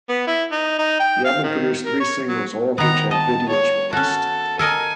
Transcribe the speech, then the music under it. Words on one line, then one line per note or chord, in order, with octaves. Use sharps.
The album produced three singles, all of which had videos released.
B3
E4
D#4
D#4
G5
F5
D#3
A#4
C#5
F#3
D#3 B3 A#5
D#5 A5
C#5
C#4 F#4 A4
A4 A#4 D#5 G#5